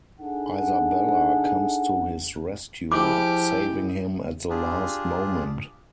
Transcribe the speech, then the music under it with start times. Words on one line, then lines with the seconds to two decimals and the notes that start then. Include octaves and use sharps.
Isabella comes to his rescue, saving him at the last moment.
0.19 D4 D#4 G#4 A4 F#5
2.92 F3 E4 G4 G#4 D#5 D6
4.50 D4 F4 G4 G#4